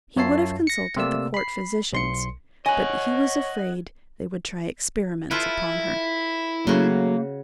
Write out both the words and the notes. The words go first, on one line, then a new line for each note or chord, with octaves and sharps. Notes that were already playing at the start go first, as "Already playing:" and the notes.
He would have consulted the court physicians; but he was afraid they would try experiments upon her.
F#2 F4 C#5 E5 A5 C7
A#6 C#7
C3 A3 A#3 D5 E6
B5 C7
B1 C6 C#7
C#5 D#5 F#5 G#5
E4 F4 A4 B4
C#3 F#3 A3 A#3 F#4